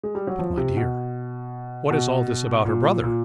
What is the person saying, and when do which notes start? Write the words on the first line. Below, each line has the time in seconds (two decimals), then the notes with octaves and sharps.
"But, my dear, what is all this about her brother?"
0.03 G#3
0.15 G3
0.27 F#3
0.39 F3
0.57 C3
0.77 B2
1.91 B2
2.65 A#2
3.04 A#2